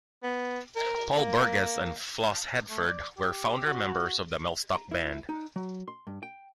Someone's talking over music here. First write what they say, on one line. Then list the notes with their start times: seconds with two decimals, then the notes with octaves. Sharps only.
Paul Burgess and Flos Headford were founder-members of the Mellstock Band.
0.23 B3
0.76 A#4
1.17 A#3
2.70 A3
2.87 D5
3.18 G4
3.66 F#4
4.75 A#5
4.91 E4
5.29 D#4
5.56 F#3
5.88 C6
6.07 G2
6.23 G5